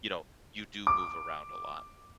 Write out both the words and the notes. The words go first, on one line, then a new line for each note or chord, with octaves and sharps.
you know, you do move around a lot.
D6